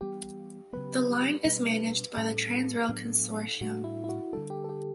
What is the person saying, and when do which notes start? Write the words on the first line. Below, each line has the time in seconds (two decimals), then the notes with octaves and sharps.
The line is managed by the Transrail consortium.
0.01 E3 G3 B3 G4
0.73 C#3 F#3 B3 B4
1.44 B2 G3 D4
2.16 A2 G3 C#4 A4
2.89 A2 F#3 B3 D4
3.60 A2 G3 B3 D4 F#4
3.84 E4
4.04 E4
4.09 F#4
4.33 D3 G3 D4 A4
4.50 G4
4.64 A4
4.69 G4